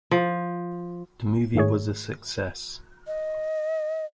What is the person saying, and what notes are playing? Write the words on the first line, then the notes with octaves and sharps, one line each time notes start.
The movie was a success.
F3
G#2 D#3 A3 G#4 C#5
D#5